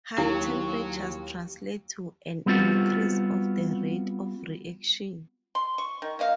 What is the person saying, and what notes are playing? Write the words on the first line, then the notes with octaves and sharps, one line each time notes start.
High temperatures translate to an increase of the rate of reaction.
D#2 F#3 E4
G3 B3 C4 F4 F#4
C6
C#6
D#3
A#3 D#5 F5